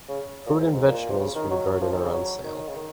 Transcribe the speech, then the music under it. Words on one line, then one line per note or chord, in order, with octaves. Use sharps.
Fruit and vegetables from the garden are on sale.
C#3
A#2
G#2
G#2
A#2
C3
C#3
D#3
F#3
F3
D#3
C#3
F#3
D#3
C#3
D#3